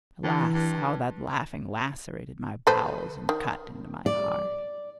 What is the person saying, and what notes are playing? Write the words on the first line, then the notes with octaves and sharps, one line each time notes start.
Alas, how that laughing lacerated my bowels and cut into my heart!
G2 E3
G2
A4 B4 C5
D#3
D5